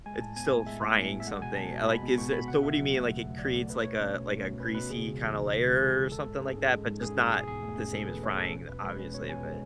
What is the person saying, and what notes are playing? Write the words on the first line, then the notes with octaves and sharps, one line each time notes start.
It's still frying something. Uh, like, is it so what do you mean? Like, it creates like a like a greasy kinda layer or something like that, but just not the same as frying, obviously, but
G#3 G#5
A2 A5
B3 G#5
A2
G#3 E5
A2
B3
A2
E5
G#3 F#5
B2 G#5
B3 A5
B2
G#3 B5
B2
B3 C#6
B2 B5
C#3 F#5
E2 E5
F#3
A3
C#3
E2
F#3 D5
A3
A3 B4
B2 C#5
C#4
B2
A3
B2
C#4 B4
B2 B4
C#3 G#4
C#2
E3
C#2
C#3
C#2
E3 G#4
C#2
G#3 A4
G#2
C#4 G#4
G#2
G#3
G#2
C#4 G#4
G#2 A4
B2 G#4
E2 G#4
A3
C#4
B2 A4
E2 B4
A3 C#5
C#4 A4
B2
E2 B4
G#3 B4
C#4
B2 C#5
E2 G#5
G#3